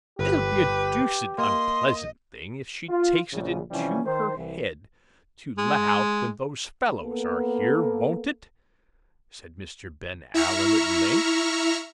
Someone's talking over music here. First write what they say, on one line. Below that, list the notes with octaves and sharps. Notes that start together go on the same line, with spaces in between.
'It'll be a deuced unpleasant thing if she takes it into her head to let out, when those fellows are here, won't it?' said Mr. Ben Allen at length.
G1 G4 B4
A#3 D#5 C6
F4
A#1 C#3
C3 E3 F3 G3 C4 C#4
D#3 C5
C2 E3
G#3
A#3 B3 A4
E4 E5 A#5 C#6 F6